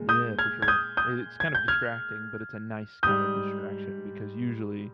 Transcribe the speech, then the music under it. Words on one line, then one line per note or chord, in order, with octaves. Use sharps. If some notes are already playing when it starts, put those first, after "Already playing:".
Yeah, for sure. I it's kind of distracting, but it's a nice kind of distraction because usually,
Already playing: A#2 G#3
D#6 G6
F6 G#6
G#6
D#6 G6
D#6 G6
G#6
G6
F6 G#6
G#2 G3 D#6 G6